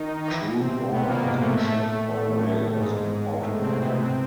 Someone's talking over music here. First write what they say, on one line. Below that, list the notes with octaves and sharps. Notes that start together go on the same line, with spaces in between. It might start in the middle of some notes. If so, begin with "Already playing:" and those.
Crude oil has been shipped by rail as an alternative.
Already playing: D#3 D#4
D#4
E3 E4
C3 C4
B2 B3
A#2 A#3
G#2 G#3
A3
G#3
A2 A3
G#2 G#3
A2 A3
C3 C4
B2 B3
C3 C4